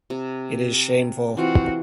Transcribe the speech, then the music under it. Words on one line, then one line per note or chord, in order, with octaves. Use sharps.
It is shameful.
C3
E3 C4 F4 F#4